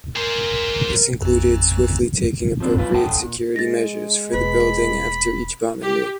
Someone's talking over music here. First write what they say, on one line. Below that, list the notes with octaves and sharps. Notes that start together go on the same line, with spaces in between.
This included swiftly taking appropriate security measures for the building after each bombing raid.
G#4 A#4 C5
A1 F2
F3 C4 D4
B1 F4 B4
G#4 A4 F#5 G5 A5
A#2
G#3 A6 A#6
E1 A#3 B4 B5
G4